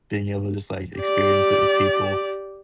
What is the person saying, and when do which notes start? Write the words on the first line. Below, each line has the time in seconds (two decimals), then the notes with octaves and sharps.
being able to just like experience it with people,
0.98 G4 D5